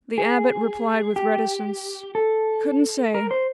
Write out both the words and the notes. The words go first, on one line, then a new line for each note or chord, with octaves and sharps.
The Abbot replied with reticence, couldn't say.
G#4
G4
A4
A#4
C5